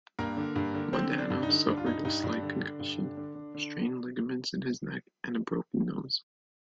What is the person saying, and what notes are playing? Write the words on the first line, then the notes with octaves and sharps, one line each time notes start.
Modano suffered a slight concussion, strained ligaments in his neck, and a broken nose.
G2 A#3 A#4
D3
G2
D3
D3 C4 C5
D3
D4
G2
D#4
D3
G2 D4
F4
G2 D#4
G2 D#4
G2 D4
D3
D3
G2
D3
D3
D3
D3